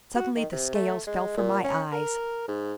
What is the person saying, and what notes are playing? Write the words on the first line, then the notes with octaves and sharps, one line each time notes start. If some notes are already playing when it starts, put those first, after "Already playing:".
Suddenly the scales fell from my eyes.
F#4
D#3
C3
A3
G#3
A#2
C#4
A#4
G#2